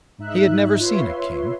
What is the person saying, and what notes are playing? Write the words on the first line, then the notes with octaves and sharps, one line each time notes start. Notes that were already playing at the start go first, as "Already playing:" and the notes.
He had never seen a king.
G#2 D#4 E5 F#6
F4 B4 C#5 E5 C6